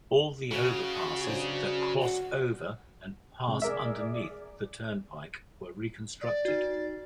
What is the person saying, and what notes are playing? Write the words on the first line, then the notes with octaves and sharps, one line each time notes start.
All the overpasses that cross over and pass underneath the turnpike were reconstructed.
C#3 F#4
F#3 D4 C5
F#5
C3 G#3
G#4 A#4 D5 E5
D5
D#4 F#4